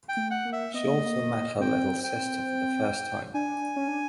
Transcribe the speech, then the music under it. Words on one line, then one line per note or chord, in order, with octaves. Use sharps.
She also met her little sister for the first time.
G5
A3
F#5
A#3
E5
B3 D#5
A#3
A3
A#3
C4 G5
G5
D4 G#5
C#4
D4